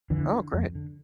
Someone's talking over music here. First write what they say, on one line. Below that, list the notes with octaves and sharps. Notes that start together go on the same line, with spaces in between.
Oh, great.
F2 D3 E3
D3
F2
D3